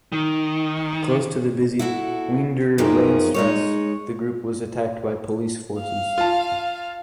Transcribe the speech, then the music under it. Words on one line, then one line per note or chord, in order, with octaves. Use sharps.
Close to the busy "Weender Landstrasse" the group was attacked by police forces.
D#3
E4 F#4 A4
F#2 D#3 F3 A#3 C#4 G#4
G#3 D#4 C#5
F5
F4 A5